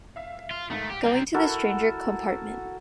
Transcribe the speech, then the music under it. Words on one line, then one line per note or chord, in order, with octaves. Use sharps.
Going to the stranger compartment.
E5 F5
F4
D#2 G#2 A3
G4
G3 C4 A#5 G#6
E4 F#4 A4 A#4